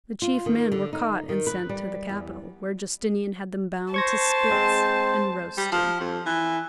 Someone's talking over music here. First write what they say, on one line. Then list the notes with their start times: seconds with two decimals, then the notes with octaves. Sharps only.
The chief men were caught and sent to the capital, where Justinian had them bound to spits and roasted.
0.22 F4
0.46 D#3
0.72 D3
0.93 D#4
1.29 D#3
1.47 B4
1.69 G3
2.09 E2
3.94 C5 A5 C#6 G#6 A#6
4.50 G#3 C4
5.58 G3
5.72 F3
6.01 F2
6.26 E3